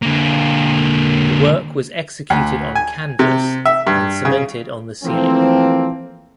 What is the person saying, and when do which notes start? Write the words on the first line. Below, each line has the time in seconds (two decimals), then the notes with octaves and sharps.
The work was executed on canvas and cemented on the ceiling.
0.03 D3 A#3
2.30 D2
2.75 G#5
3.19 C3
3.65 E5
3.87 G2
4.25 C#3
5.04 E3 F3 A3 A#3 C4